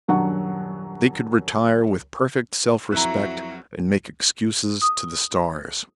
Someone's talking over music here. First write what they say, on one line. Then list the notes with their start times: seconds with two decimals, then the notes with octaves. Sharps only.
They could retire with perfect self-respect and make excuses to the stars.
0.08 D#1 F#2 F#3 D4 F#5 C#6
2.92 F2 F#3 E4 F#4 A#5 F#6
4.82 D#6